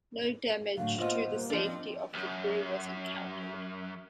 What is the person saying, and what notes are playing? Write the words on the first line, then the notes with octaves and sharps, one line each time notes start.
No damage to the safety of the crew was encountered.
A2 D3 F#3 F5
D#2 B2 B3 F4 C5 D#5
G3 A#3
F3 D4 D#5
C4
B1 F#2